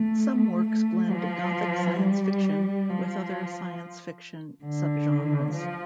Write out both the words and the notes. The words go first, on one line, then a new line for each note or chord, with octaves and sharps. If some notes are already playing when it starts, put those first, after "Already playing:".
Some works blend gothic science fiction with other science fiction subgenres.
Already playing: A3
A3
F3
G3
F3
D3
F3